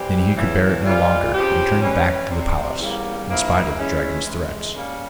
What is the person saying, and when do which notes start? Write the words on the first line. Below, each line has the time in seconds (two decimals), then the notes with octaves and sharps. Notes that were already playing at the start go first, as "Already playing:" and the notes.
Then he could bear it no longer and turned back to the palace, in spite of the dragon's threats.
Already playing: E3 G3 C4 G4
0.36 E2 C#3 E3
0.85 E3 G3 C4 F4
1.33 C#3 F3 C4 G4
1.81 E3 G3 C#4
2.30 C3 G3 C4
2.79 E2 C#3 G3 A#3
3.28 G2 F3 A#3 E4
3.76 E3 G#3 C#4 E4
4.24 C3 E3 G#3
4.73 C#3 G3 A#3